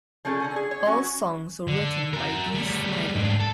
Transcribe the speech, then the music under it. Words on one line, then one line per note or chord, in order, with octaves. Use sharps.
All songs are written by Dee Snider.
F3 A3 C#4 E4 G#4 A4
D3 F#5 G#5
G#4
C#5
F#3 C#4 F#4 G#5
D3
F#4 A#4
G3 A3
G#2 D4
A4